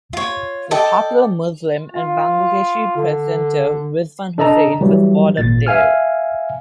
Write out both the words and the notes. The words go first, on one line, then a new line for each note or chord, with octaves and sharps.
The popular Muslim and Bangladeshi presenter Rizwan Hussain was brought up there.
F4 C#5
A4 D5 D#5 G5
F4
D3
D4 A4 D#5 A5 A#5
E3 F#3 G3
G#1 A#2 A6
E5 F5 G#5 F6